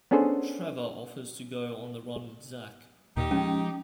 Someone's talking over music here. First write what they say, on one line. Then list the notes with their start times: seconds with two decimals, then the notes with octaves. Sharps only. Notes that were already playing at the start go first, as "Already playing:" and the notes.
Trevor offers to go on the run with Zach.
0.11 B3 C#4 D4 G#4 A4 C5
3.17 D#2 A#2 D#4 G4
3.31 F3 G#3 C#4